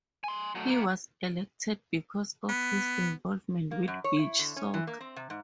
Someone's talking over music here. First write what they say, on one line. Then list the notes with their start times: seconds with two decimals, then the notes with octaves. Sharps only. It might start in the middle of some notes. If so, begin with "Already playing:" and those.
He was elected because of his involvement with beach soccer.
0.24 G#5 C6
0.55 F#3 A3
0.70 A#3 B3
2.49 B3
3.71 A#3
3.88 F#2
4.04 C#5
4.19 E4
4.39 D3
4.56 C#4
4.74 E3
4.87 A#3
5.01 C4
5.16 C3
5.30 G#2